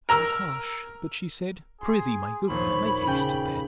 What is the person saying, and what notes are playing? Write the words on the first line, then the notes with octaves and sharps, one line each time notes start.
I was hush; but she said, Pr'ythee, my good girl, make haste to bed.
A#4 A#5 E6 F6
G#4 C6
A#1 D#2 C5 C#5 B5
C#3 G5